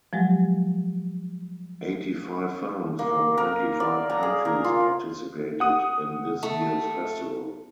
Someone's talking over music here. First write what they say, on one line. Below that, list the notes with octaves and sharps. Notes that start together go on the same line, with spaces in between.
Eighty five films from twenty five countries participated in this year’s festival.
F3 F#3 G#3 G4
A#3
A#4
D5
A#5
G#4
A#4
F4
F#5 D#6 D#7
A3